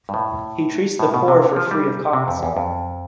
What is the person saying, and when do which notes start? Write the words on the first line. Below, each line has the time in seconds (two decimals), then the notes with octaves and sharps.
He treats the poor for free of cost.
0.09 G2
0.14 A2
0.99 A2
1.14 B2
1.28 C3
1.42 D3
1.56 F3
1.71 G3
2.13 C3
2.28 F2
2.43 E2
2.57 F2